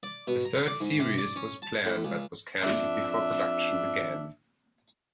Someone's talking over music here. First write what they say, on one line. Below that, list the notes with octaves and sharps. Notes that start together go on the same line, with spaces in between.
A third series was planned, but was cancelled before production began.
D5
B2
A#5
D5
G#2
C3
D5
C#4
A5
A2
C#2
F2 D4 E5